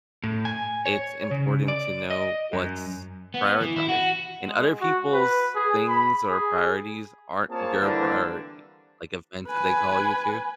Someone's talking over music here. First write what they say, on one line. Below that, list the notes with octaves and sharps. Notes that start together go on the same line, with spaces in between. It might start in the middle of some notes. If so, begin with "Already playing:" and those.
it's important to know what's prioritized. And other people's things or priorities aren't your priority, like, events that they call you to.
A2
G#5
C#5
C#3
D5
D#5
F#2
B3
E3
E4
F#4
G#3
F#4
B4
G#4
B5
G#4
A#3 C4 F4 G#4 C#5 A5
D3 E3 G3 A#3 C4 D4
B4 G#5